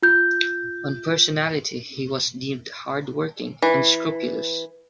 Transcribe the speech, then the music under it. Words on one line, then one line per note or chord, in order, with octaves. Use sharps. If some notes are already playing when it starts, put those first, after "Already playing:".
On personality he was deemed hardworking and scrupulous.
F4 G6
E3